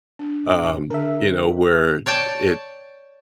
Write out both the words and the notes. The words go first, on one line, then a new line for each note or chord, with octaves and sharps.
um, you know, where it
D4
D3 D4 A#4 E5
C#5 D5 G5 A5